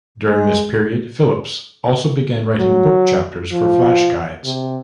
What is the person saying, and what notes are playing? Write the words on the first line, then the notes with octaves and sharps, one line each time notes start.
During this period, Phillips also began writing book chapters for flash guides.
G#3
F#3
F3
C3